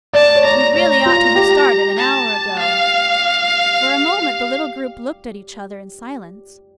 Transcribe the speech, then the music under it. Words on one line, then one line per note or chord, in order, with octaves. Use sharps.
"We really ought to have started an hour ago." For a moment the little group looked at each other in silence.
D5 A5
C#5
D5 A#5
C#5 A#5
F4
G4
A5
F5